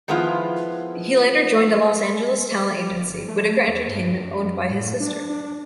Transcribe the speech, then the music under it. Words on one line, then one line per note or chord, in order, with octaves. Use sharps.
He later joined a Los Angeles talent agency, Whitaker Entertainment, owned by his sister.
D#3 F3 G#3 B3 E4 F4
G1
A3
E2
G2
F#2
A2
D4
D4